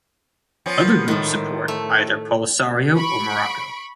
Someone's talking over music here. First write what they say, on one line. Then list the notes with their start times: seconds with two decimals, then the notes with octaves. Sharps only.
Other groups support either Polisario or Morocco.
0.66 F3 B3 C#4
1.08 A2 D#3
1.68 A3
2.96 B5 C#6 D7